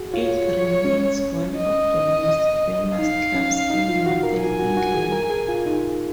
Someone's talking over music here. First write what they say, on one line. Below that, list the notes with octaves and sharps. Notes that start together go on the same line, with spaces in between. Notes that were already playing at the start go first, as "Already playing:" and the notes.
It remains one of the most famous clubs in Northern England.
Already playing: F#4 G#4
F4 C#5
C#4
D#5
D#4 F5
C#4
D#4
F4
F#4
A#4
G#5
F#4
F#4
G#4
A#4
G#4
F4
D#4